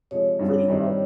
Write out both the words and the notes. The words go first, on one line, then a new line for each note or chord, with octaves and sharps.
Pretty much
C3 F3 G#3 C#5
G2 D3 G3 C4 F4
G2 D#3 G3 C4 D#4